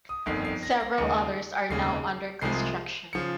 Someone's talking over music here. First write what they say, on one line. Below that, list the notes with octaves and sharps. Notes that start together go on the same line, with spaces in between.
Several others are now under construction.
D#6
G1 F2 D#3 C7
C7
A#6
A#6
D#2 C#3 G#3 C#7
F1 D#2 C#3 G#3 C7
C2 C3 F3 G#3 C7
C#3 F3 C#7